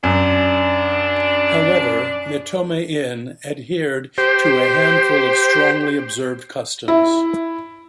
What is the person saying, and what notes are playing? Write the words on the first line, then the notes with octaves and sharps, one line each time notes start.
However, "mitome-in" adhere to a handful of strongly observed customs.
F#2 D4
G4 C5
E4